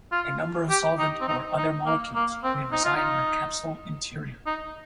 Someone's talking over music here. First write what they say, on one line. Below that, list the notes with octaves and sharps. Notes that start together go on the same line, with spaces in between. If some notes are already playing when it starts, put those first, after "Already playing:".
A number of solvent or other molecules may reside in the capsule interior.
F4
G4
D#4
C4
D#4
D#4
A#3
A#3
C4
D#4
F4
D#4
D#4